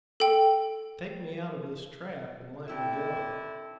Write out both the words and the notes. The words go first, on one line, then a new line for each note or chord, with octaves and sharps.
Take me out of this trap and let me go.
A4 G5
D3 C4 E4 G4